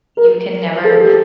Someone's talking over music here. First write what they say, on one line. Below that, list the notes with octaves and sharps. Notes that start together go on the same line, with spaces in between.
you can never
A#4
A4
G4